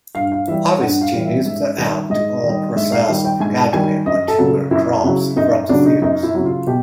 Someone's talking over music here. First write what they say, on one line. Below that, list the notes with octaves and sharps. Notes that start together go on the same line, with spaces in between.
Harvesting is the act or process of gathering mature crops from the fields.
G2 F5
F5
E3 G3 E5
G2 F#5
F5
E3 G3
E5
G#2 E5
D#3 G3
G#2 D#5
D#3 G3
G#2 E5
F5
D#3 G3
G5
G#2 G#5
A5
D#3 G3 G#5
F#2 D#5
A4
C#3 F#3
F#2 E4
C#3 F#3
F#2 D#4
C#3 F#3 D4
D#4
F#2 D#4
E4
C#3 F#3
F4
B2 G4